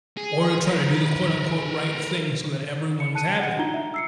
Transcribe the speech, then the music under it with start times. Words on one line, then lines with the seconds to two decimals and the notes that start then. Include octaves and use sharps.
or to try to do the quote unquote, "right thing" so that everyone's happy,
0.17 G#4
0.67 A#4 B4
3.00 C#7
3.15 A5 F#6 C#7 D#7
3.40 F#5
3.57 D4 D#4 F4 F#4 A#5 G7
3.74 E5
3.94 E6 C7 C#7